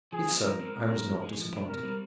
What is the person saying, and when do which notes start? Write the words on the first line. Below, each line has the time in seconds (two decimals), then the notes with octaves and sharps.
If so, I was not disappointed.
0.12 F3 G#4
0.28 G#3 C4 F4
0.43 F3 A#4
0.59 G#3 C4
0.74 A#2 A#4
0.90 G3 C4
1.06 F3
1.22 G#3 D#4 G#4
1.38 F3
1.52 G#3 D4 G4
1.68 C3 A#4
1.83 G3 C4